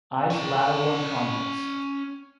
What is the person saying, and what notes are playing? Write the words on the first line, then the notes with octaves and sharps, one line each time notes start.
Eyes lateral and convex.
C#4 G5